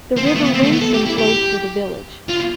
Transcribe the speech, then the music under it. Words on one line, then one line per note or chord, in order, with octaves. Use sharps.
The River Wensum flows through the village.
C4
B3
A3
B3
C4
A3
B3
A4
G4
E4
G4
F4